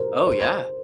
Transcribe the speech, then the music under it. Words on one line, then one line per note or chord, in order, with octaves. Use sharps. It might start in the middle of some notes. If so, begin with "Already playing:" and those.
Oh, yeah,
Already playing: A#4 C5
C5